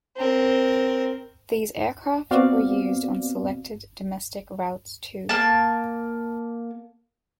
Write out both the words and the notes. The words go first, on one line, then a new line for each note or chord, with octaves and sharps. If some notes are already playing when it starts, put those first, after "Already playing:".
These aircraft were used on selected domestic routes too.
C4 A#4
B3 C4 F#4 D5 F5
A#3 A5